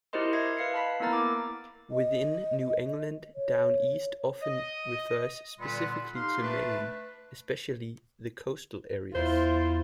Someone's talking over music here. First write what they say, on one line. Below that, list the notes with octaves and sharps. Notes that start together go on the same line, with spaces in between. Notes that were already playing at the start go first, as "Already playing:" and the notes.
Within New England, "Down East" often refers specifically to Maine, especially the coastal areas.
E4 G4 A#4 C5 D#5 C6
D#5 E5 G#6 A#6 C7
B4 F5 C7 C#7
A5 B5 B6
A#3 B3 E4 A#4 A#5 A6
D6
D#5
C#5
D#5
A#2 D3 G3 B3 B4 C6
D#4 G4 F5 C6
A3 D4 B4
E2 E4 F4 C5